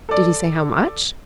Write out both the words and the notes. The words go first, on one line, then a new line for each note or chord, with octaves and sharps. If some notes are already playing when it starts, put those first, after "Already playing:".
"Did he say how much?"
A4 D5